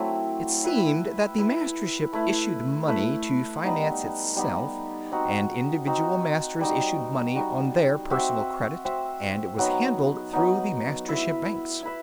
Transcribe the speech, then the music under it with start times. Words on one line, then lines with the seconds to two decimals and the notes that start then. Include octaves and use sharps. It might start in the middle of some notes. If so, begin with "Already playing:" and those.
It seemed that the Mastership issued money to finance itself, and individual Masters issued money on their personal credit, and it was handled through the Mastership Banks.
Already playing: F#3 A3 C4 E4
0.64 E4 B4 E5
1.38 E4 B4 E5
2.13 A3 E4 B4
2.88 A3 E4 B4
3.63 G3 B3 D#4 G4
4.36 G3 B3 D#4 G4
5.12 C4 D#4 F#4
5.87 C4 D#4 F#4
6.61 G3 D#4 F#4
7.35 G3 D#4 F#4
8.10 C4 F#4 C5 E5
8.85 C4 F#4 C5 E5
9.58 F#3 B3 D#4
10.33 F#3 B3 D#4
11.09 E4 B4 E5
11.83 E4 B4 E5